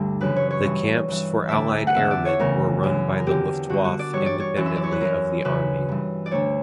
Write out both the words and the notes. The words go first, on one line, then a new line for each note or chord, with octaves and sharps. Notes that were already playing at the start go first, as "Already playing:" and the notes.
The camps for Allied airmen were run by the Luftwaffe independently of the Army.
Already playing: D2 G2 D3
F#2 C#3 E3 B4
C#5
C#5
G2 E3
G2 E3
D2 D3 D5 E5
F#5
E2 D3 E5
D5
C#5
D2 C#3 E3 A#4
F#2 E3
A#4
E2 D3 G4
G2 D3 F#4
F#4
D5
G2 E3 C#5
D5
C#5
F#2 E3
E5
D5
C#5
B4
F#2 E3 A#4
F#2 C#3 E3 B4
G2 E3
D5
D2 D3 C#5